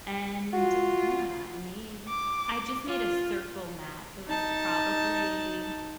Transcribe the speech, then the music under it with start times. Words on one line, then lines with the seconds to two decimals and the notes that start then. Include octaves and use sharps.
and, yeah, I made I just made a circle mat. It was probably,
0.53 F4 F#4
2.08 D6
2.87 F4
4.28 D#4 A5